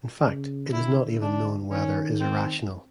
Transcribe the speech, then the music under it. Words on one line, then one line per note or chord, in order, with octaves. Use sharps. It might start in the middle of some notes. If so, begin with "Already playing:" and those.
In fact, it is not even known whether is irrational.
C#3
D3 E4
D4
D#3 C#4
C4